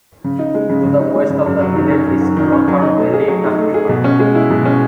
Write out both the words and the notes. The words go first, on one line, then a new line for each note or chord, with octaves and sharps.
To the west of the village is Rother Valley Country Park.
C#3
D#4
G#3
C#3
C#3
D#4
G#3
C#3
F#2
F#3
D#3
C#4
F#2
F#3
D#3
C#4
F#3
D#4
A3
G#4
F#3
D#4
A3
G#4
B2
C#4
G#3
E4
B2
C#4